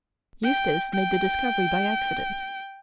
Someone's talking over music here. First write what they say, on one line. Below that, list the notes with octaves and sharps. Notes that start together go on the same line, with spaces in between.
Eustace made the discovery by accident.
G5
G5